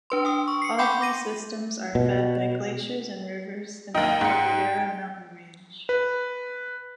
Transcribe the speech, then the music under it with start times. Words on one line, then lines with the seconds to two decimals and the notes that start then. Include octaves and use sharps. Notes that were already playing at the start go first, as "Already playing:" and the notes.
All three systems are fed by glaciers and rivers in the Cordillera mountain range.
0.10 D4 B4 C6
0.25 G5 D#6
0.48 C#6
0.62 C7 C#7
0.79 F#5 G5 B5 C6 D6 G6
1.01 D6 A#6 D#7
1.95 B2
3.95 D#2 D#4 G5
4.21 G#2 C#7
5.89 B4